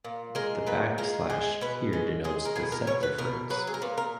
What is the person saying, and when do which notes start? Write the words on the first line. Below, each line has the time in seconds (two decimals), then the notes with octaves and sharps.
The backslash here denotes the set difference.
0.05 A#2
0.35 G#3 A#4
0.67 A#2 B4
0.98 G#3 A#4
1.30 G#3 G#4
1.61 B2 B4
1.93 G#3
2.24 G#3 G#4
2.45 A#4
2.56 B2 G#4
2.72 A#4
2.87 B2 C#5
3.03 B4
3.18 B2 A#4
3.50 F#3 B4
3.67 G#4
3.74 A#4
3.82 A#2 B4
3.98 A#4